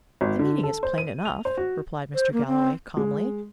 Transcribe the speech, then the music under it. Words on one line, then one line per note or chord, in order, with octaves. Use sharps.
"The meaning is plain enough," replied Mr. Galloway, calmly.
G#1
D3
A4
C5
D#7
F7
C5
F#4
C5
A#3
C4
G#3